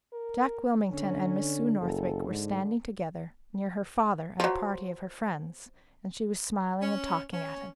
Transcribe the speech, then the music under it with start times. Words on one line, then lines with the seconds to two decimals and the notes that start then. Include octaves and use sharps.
Jack Wilmington and Miss Sue Northwick were standing together near her father and a party of her friends, and she was smiling and talking at him.
0.13 A#4
0.91 D3 C#4
1.80 F#1 A4
2.29 G#2 D3
4.40 F3 F#3
6.82 C#4
7.34 C#4